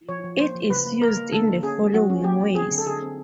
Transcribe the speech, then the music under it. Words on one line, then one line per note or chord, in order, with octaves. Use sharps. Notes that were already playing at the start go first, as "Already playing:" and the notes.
It is used in the following ways.
F3 C#5
F3
A#3 C5
F3
C#3 B4
A#3
A#3 A#4
A#3
D3 A4
A#3
C#4 G#4
F#3
F#3 F#4
C#4
A#3 G4
F#3
C4 G#4
D3
A4
D3 G#4
C4